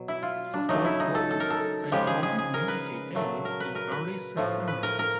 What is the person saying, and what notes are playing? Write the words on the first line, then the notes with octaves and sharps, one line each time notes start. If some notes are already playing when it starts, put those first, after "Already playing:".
Saltsburg holds its own "Community Days" in early September.
Already playing: B2 F#3
E4
F4
D4
C#3 F#3 A3 D#4
E4
D#4
A4
A4
A#4
A4
C#3 F3 G#3 G4
G#4
G#4
G#4
A#4
B4
A#2 F#3 A3
A#4
B4
A#4
B4
A2 F3 A3
B4
A#4
A#4